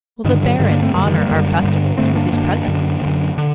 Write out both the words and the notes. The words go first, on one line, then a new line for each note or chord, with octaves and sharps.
"Will the Baron honor our festivals with his presence?"
G2 D3 D#3
D3 F#3
G2 D3 D#3 G3
A#3 D4
A3 C4
F#2 D3 G3 A#3
D#3 G3
G3 A#3
F#2 D3 G3 A#3
G2 D3
G2 D3 A3 C4
A#3 D4
F#2 D3 A#3 D4
F#2 D3
F#2 D3
D3